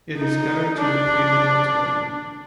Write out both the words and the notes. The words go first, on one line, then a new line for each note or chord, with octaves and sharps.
It is better to repay the debt early.
D#4
D4